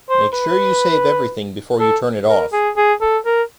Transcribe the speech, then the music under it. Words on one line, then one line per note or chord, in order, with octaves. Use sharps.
Make sure you save everything before you turn it off.
C5
B4
A4
A#4
G#4
G#4
A4
A#4